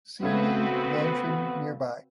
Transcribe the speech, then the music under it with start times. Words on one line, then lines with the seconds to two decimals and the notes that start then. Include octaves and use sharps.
Seay Mansion nearby.
0.23 C#3 A3 B3 C4 F#4 B4 G#6